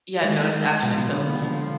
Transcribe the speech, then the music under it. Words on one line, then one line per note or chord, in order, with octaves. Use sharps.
Yeah, no, it's actually so cool,
D#3 G#3
G#3
G#3
G#3
B2 F3
B2 F3
D3 B3
B3
D3 F3
F3